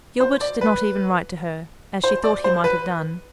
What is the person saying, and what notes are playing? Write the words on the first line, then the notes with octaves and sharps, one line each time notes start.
Gilbert did not even write to her, as she thought he might have done.
C5
D5
B4
C5
D5
C5
B4